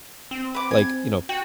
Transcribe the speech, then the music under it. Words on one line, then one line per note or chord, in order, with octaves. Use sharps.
like, you know,
C4
B4 D6
G#5
F#4 G5